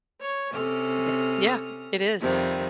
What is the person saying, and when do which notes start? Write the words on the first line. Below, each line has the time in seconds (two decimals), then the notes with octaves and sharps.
yeah yeah, it is.
0.20 C#5
0.52 C3 C#4 A4 D#6 F6
2.20 F2 C3 D#3 G3